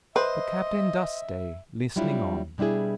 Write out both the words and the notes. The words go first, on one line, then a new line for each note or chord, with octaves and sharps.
The Captain does stay, listening on.
B4 C5 D#5 E5
F#3 G3 D4 E4 F4
B2 G3 D4 E4 G#4